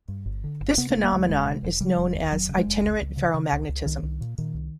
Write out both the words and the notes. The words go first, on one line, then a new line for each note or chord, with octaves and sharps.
This phenomenon is known as "itinerant ferromagnetism".
G2
G1
D3
G1
C3 B3
A#3
E1
A#3
D2 G#3
E1 G#3
C3
E1
C#3 G3
F1
D#2
F1 F#3
C#3
G#3
F1
C#2
C#2
C#3
C#3
C#2
C#2
C2 D#3
C2
A#2
A#2 D#3
C2